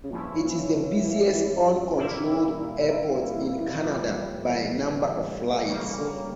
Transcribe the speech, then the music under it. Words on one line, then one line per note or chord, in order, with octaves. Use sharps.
It is the busiest uncontrolled airport in Canada by number of flights.
C#3
G2 A#2 F3 C#4 E4
A#2
D3
E3
E3
F3
A#2 D3 G3 A#3 E4
C#3
D3
D3
E3
E3
A2 E3 F3 G3
D2 C#3 G3 A#3
D3